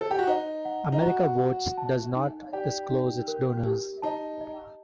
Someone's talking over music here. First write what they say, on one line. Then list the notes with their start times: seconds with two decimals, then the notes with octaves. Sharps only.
America Votes does not disclose its donors.
0.01 A4
0.11 G4
0.19 F#4
0.27 D#4 C5
0.65 F#5
0.92 D#4
1.02 F#4 A#5
1.40 F#5
1.78 A5
2.16 D#4
2.53 G4 D5
2.90 D#4
3.28 A#4
3.66 G4
4.02 D#4 A5
4.41 D#5